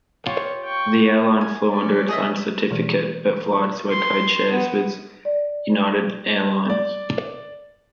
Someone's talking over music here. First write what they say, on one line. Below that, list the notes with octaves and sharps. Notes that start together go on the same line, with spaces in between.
The airline flew under its own certificate, but flights were code-shares with United Airlines.
F4 G4 C#5
G5 C#6
A#3
G#5
C#4 D5
G#4 D#5 E5
B2 E3
C6
B3
D5
D5